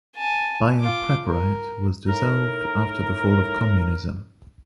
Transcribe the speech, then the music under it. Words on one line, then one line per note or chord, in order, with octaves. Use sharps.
Biopreparat was dissolved after the fall of communism.
G#5 A5
F4 D6
A#4
A2 D#4 A#4